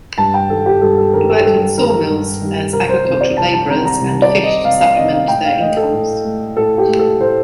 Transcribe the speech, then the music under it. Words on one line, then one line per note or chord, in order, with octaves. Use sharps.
They worked in sawmills, as agricultural laborers, and fished to supplement their incomes.
G2 A5
G5
D#3 G3 A4
G4
G2 A4
A4
D#3 G3 A#4
A4
G2 A4
A4
D#3 G3 A#4
A#4
G2
D#3 G3
C2 A#4
C5
C3 D#3 C5
D5
C2 A5
A5
C3 D#3 A#5
A#5
C2
D5
C3 D#3
D#5
C2 F5
F5
C3 D#3 D#5
F5
A2 G5
F5
A3 D#5
A4
A2
A3
A2 A4
G4
A3
A4
A2 C5